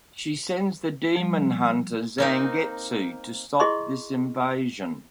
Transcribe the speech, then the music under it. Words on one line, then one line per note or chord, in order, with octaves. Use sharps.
She sends the demon hunter Zangetsu to stop this invasion.
F3 G3
A#3 C4 D#4
E4 G#4 D#5 C6 C#6